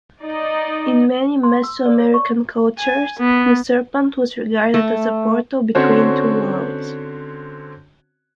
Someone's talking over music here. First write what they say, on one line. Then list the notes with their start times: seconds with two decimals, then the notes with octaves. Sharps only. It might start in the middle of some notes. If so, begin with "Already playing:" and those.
In many Meso-American cultures, the serpent was regarded as a portal between two worlds.
0.20 D#4 D5 D#5
1.43 C6
1.63 E6
1.86 D5
2.00 C#5
2.14 C#6
2.78 G#5
3.19 B3
4.74 A3
5.75 D3 C4 C#4 F#4 C5 C#5